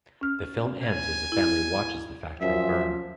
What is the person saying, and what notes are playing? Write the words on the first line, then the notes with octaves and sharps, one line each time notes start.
The film ends as the family watches the factory burn.
C#4 F6
G#5
E4
F#2 F3 E5